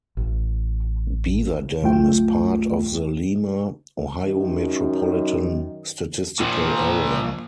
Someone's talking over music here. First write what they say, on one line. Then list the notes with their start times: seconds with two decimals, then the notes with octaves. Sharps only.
Beaverdam is part of the Lima, Ohio Metropolitan Statistical Area.
0.17 A1
1.82 C2 F#2 A3 F4 G5
4.23 F#2 D#3
6.40 A#2 F3